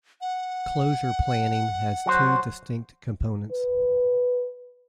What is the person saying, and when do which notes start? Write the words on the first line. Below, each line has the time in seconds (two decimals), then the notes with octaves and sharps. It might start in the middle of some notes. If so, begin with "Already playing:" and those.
Closure planning has two distinct components.
0.21 F#5
2.06 F#3 F#4 C5
3.51 B4